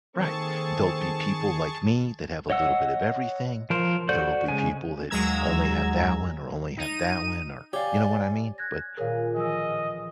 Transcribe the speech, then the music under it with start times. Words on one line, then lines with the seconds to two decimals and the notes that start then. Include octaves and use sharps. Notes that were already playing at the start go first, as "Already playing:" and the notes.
Right. There'll be people like me that have a little bit of everything. There will be people that only have that one, or only have that one, or, you know what I mean? But
0.16 D#3 A#3 C4 G#4 A4 A5 C#6
2.50 C#5 D#5 F#5 E6
3.70 F3 A#4 C5
4.09 F#4 A4 C5 D5 G6
4.48 C#3 G#3 G#5
5.10 D#2 F#3 G#3 A#5 E6 G#6
6.77 D#4 D#7
7.73 G4 C#5 D5 F5 G#5
8.58 F#6 G#6 A#6
8.97 A#2 D#3 G#4 A#4 C#5 F5
9.36 A1 E3 F3 D#5 G#5 E6